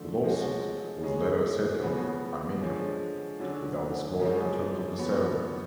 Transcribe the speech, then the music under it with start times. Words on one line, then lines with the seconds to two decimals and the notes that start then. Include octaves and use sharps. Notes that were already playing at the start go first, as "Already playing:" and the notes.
The lawsuit was later settled amicably, without disclosing the terms of the settlement.
Already playing: D3 F3 A3
0.23 F3 G#3 C#4 F#4
1.03 C#3 G#3 C#4 G#4
1.82 C#3 F3 B3 F#4
2.61 D3 F3 G#3 C#4
3.40 D3 F#3 C#4
4.19 F#2 C#3 F3 G#3 C#4
4.99 F#2 F3 B3 F#4 C#5